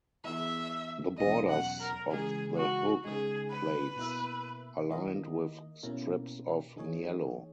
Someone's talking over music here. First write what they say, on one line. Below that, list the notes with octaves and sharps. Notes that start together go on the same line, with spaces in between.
The borders of the hook plates are lined with strips of niello.
E3 B3 E4 G#4 E5
E2 B2 F#3 C#4 D#5
F#5
A#4
C#3 E3 G#3 G#4
F#4
C#3 G#3 D#4 G#4
B4
B2 A#3 E4 A#4 E5
D#3 A#3 E4 A#4 D#5
B2 A#3 C#4 E4 A#4
E3 A#3 D#4 G#4 C#5